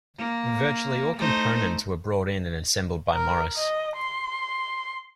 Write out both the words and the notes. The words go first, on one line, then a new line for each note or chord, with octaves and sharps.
Virtually all components were bought-in and assembled by Morris.
A#3
A3 D#4 C5
A#4
D#5
C6